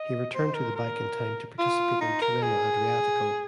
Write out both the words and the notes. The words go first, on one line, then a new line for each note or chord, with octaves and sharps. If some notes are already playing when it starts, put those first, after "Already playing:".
He returned to the bike in time to participate in Tirreno-Adriatico.
Already playing: D#5
C5
A#4
A#4
F4
D#4
A#4
G#4